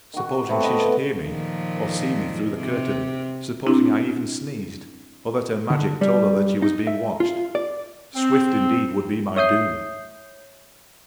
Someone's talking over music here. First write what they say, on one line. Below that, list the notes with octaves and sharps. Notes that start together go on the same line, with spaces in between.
Supposing she should hear me, or see me through the curtain, supposing I even sneezed, or that her magic told her that she was being watched--swift indeed would be my doom.
D#3 F#4
A3 B3 C4 E4
A4 B4 D#5
A#2 D#3 F3
C3
C4 D4 E4
D3
G3
D#4
E5
F4
D5
C4
C#5 E5 D#6 G6 C7